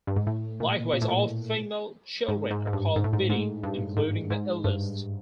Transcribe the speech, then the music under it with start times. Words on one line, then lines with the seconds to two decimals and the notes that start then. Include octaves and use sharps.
Likewise, all female children are called "Biddy", including the eldest.
0.07 G2
0.16 G#2
0.27 A2
0.60 A#2
0.93 A#2
1.02 A2
1.08 A#2
2.28 G#2
2.51 G#2
2.67 G#2
2.73 G2
2.96 G#2
3.04 A2
3.13 G#2
3.30 G#2
3.63 G2
3.97 G#2
4.30 G#2
4.64 G2